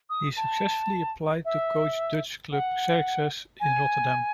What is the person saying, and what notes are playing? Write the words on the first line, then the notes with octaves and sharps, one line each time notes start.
He successfully applied to coach Dutch club Xerxes in Rotterdam.
D#6
A5
E5
F#5
G#5